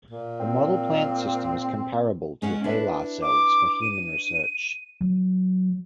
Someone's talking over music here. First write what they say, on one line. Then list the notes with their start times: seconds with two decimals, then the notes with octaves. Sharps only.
The model plant system is comparable to HeLa cells for human research.
0.10 A#2
0.40 C4
2.42 G#3 C#4 F#5
2.64 D4 E4 B4
3.22 D6
3.81 D#7
5.01 F#3